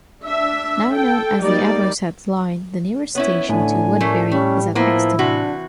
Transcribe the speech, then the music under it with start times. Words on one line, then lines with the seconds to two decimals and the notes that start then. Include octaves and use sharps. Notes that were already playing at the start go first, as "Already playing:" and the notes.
Now known as the Avocet Line, the nearest station to Woodbury is at Exton.
0.24 D4 E5
0.93 A4 G5
1.41 G3 A#3 D#4 D5
3.15 B3 C#4 E4 C#5
3.49 A2 D3 G#5
4.01 G3 A3 C#4 A#4
4.31 G3 A3 C#4
4.75 F3 A#3 B3 E4 F4
5.19 C3 E3 D4 F#4